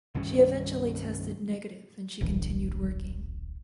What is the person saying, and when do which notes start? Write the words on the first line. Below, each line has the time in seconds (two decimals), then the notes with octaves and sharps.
She eventually tested negative and she continued working.
0.14 C2 G2 D#3 C#4
2.21 D1 A#1 E3